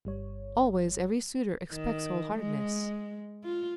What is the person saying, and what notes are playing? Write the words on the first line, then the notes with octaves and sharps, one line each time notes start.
Always every suitor expects whole heartedness.
G1 G3 C#5
D#3
G#3
F4